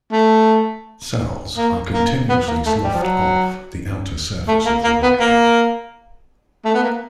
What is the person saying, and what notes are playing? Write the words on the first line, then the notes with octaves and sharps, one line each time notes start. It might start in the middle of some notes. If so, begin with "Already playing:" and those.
Cells are continuously sloughed off the outer surface of the root cap.
A3
A#3
A#3
B3
A#3
A3
G3
F3
F#3
A3
A#3
A#3
B3
A#3
A3
B3
A#3